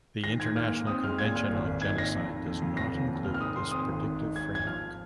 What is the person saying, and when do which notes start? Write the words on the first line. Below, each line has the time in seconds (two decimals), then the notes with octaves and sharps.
The international convention on Genocide does not include this predictive framework.
0.24 D#3 A#6
0.40 G#2 G#6
0.55 A#3 F6
0.72 G#2
0.87 C4 D#6
1.03 G#3 F6
1.18 A#2 G#6
1.35 A#2 F6
1.51 G#1
1.67 G#1
1.82 D#4 G#6
1.98 D#4 A#6
2.14 F2
2.29 D#3
2.46 F2
2.62 F2
2.77 F1 A#6
2.93 D#2
3.09 D#3
3.24 F1 F6
3.34 F6
3.41 G#2 D#6
3.56 D#3 C6
3.71 C4 D#6
3.88 G#1
4.04 G#2
4.19 D#4
4.35 G#2 G#6
4.50 G#2 G#6
4.67 F3 F6